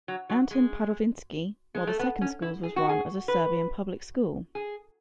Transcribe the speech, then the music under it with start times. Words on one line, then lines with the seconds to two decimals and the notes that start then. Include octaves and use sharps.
Antun Padovinski, while the second schools was run as a Serbian Public School.
0.08 F#3
0.30 F#3
0.51 G#3
1.75 G#3
1.87 A3
1.99 B3
2.21 C#4
2.42 E4
2.63 G#4
2.76 F#4
2.89 G#4
3.28 B4
4.55 G#4